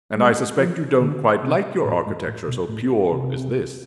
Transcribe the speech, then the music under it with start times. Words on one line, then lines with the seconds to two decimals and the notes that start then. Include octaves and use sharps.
And I suspect you don't quite like your architecture so "pure" as this.
0.16 G#3
0.58 F3
1.00 D3
1.43 C3
1.85 A2
2.06 G#2
2.27 A2
2.48 B2
2.69 A2
3.11 C3